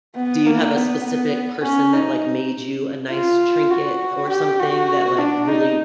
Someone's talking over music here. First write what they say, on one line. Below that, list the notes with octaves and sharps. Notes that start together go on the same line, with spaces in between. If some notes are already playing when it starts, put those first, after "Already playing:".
Do you have a specific person that, like, made you a nice trinket or something that, like, really
B3
A#3
B3
B3
C#4
D#4
F4
F#4
G4
F#4
D4
D#4